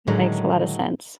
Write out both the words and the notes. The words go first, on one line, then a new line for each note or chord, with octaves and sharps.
That makes a lotta sense.
A2 D3 D#3 F#3 G#3